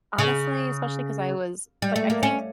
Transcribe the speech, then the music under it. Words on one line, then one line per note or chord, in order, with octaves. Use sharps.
honestly especially 'cause I was like, I think
C#3
G3
A3
A#3
C#4